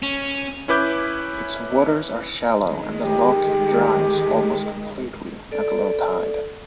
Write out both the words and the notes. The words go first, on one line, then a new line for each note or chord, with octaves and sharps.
Its waters are shallow and the loch dries almost completely at low tide.
C#4
C#4 E4 B4 D6 G6
D#3 G#3
G4
A4 D5